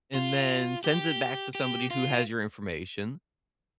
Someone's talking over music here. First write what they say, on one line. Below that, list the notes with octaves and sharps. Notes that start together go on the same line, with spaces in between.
and then sends it back to somebody who has your information,
F4
G4
G4
F4